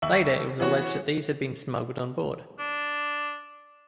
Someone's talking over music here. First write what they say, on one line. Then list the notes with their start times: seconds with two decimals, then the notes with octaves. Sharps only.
Later it was alleged that these had been smuggled on board.
0.02 D#2 E5 C#6 F#7
0.60 E3 B3 F#4 C#5
2.59 D4